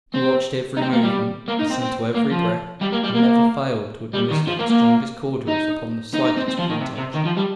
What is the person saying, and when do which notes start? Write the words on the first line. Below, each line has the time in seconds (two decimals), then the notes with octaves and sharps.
He watched every movement, listened to every breath, and never failed to administer the strongest cordials upon the slightest pretext.
0.14 C4
0.77 D#4
0.82 C4
0.93 A#3
1.03 G3
1.48 A#3
1.59 D#4
1.70 C4
1.81 C4
2.14 A#3
2.32 F3
2.81 G3
2.92 A#3
3.04 G3
3.14 A#3
4.14 G3
4.31 D#3
4.48 F3
4.59 A#3
4.70 A#3
5.48 D#4
6.14 D#4
6.25 D#4
6.37 C4
6.48 C4
6.58 F3
6.70 D#3
6.80 C3
6.97 C3
7.14 D#3
7.25 F3
7.37 G3